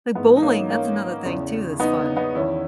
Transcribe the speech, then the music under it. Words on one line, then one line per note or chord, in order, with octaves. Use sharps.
Like bowling, that's another thing too that's fun
G#2 E3 B3
D#4
A#3 C#4
A#3 C#4
E2 C#3 E3
B3 D#4
B3 D#4
E2 D#3 C#4 E4